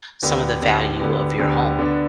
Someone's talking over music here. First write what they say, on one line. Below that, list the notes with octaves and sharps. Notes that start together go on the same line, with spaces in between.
some of the value of your home.
D2 D3 B3 G4
D2 D3 B3 G4
D2 D3 B3 G4
D2 D3 B3 G4
D3 B3 D4